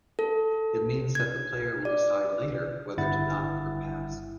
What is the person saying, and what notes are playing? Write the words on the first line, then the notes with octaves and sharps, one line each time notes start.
It means that the player will decide later whether to knock or pass.
A4
G#6
D5
G1 E4 F#5 A6